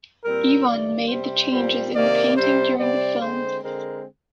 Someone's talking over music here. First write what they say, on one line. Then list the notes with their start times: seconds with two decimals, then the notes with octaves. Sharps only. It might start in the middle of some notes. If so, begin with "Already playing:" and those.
Ivan made the changes in the painting during the film.
0.23 A#2 G3 C4 A#4
0.66 G2 D#3 A#3 D5
1.08 C3 G3 C4 C5
1.51 A#2 G3 C4
1.93 C3 D#3 A#3 D5
2.35 C3 G3 C4 C5
2.77 C3 G3 C4 D5
3.20 D3 G#3 C4 C5
3.62 D3 G#3 C4 A#4